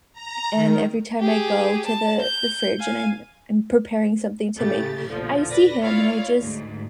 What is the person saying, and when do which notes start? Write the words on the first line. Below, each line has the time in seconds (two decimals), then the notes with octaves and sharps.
and every time I go to the the fridge and I'm I'm preparing something to make, I see him and I just,
0.13 A#5
0.54 D#3
1.20 G4 G#4
1.86 A5
2.22 G6
2.79 F5 G#5
4.56 A2 C#3 A3 G4 A6
5.08 A#1 E2 B2 D3 F3
5.50 B4 D5 A#6
5.81 E4 F4 C#5 D5 F5
6.40 D2 G#2